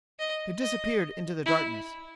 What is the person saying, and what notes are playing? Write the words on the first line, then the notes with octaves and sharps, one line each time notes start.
They disappeared into the darkness.
D#5
D#5
E4